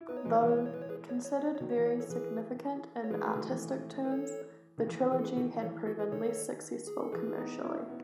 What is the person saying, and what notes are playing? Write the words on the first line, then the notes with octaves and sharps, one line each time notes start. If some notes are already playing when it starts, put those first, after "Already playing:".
Though considered very significant in artistic terms, the trilogy had proven less successful commercially.
E4
B3 D#4 B4
C#5
E3 G#3 B4
C#5
E3 G#3 B4
C#5
B4
C#5
B4
C#5
G#4 B4
C#5
C#5
C#5
C#5
D#3 F#3
C#5
E3
C#5
A4 C#5
E3 G#4 B4
C#5
E3 G#3 G#4 B4
F#3 A3
D#3 F#3
E3
B4
A4 C#5
D#3
E3
E3 G#4 B4
A4
G#4 B4
D#3 F#4 A4
E3 A4 C#5
F#4 A4
G#4 B4
D#3 A4 C#5
G#4
A4
E3 G#4 B4
B3 D#4
C#4 E4
B3